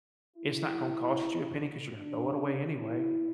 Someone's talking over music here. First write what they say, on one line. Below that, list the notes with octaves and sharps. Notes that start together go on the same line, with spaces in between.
It's not gon cost you a penny 'cause you're gonna throw it away anyway."
E4
D4
E4